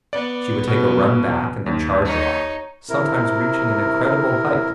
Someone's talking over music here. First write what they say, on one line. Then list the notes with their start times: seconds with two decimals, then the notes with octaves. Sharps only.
She would take a run back and then charge up, sometimes reaching an incredible height.
0.13 B3 D5
0.67 B2 B4
1.66 D#2
2.05 D#4 C#5
2.89 C3 E4 A#4